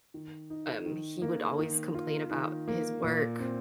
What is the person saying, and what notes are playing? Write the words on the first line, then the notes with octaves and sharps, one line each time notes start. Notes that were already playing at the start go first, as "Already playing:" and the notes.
um he would always complain about his work
D#3
D#4
D#3
A#3
D#3
F4
D#3
A#3
A#2
C4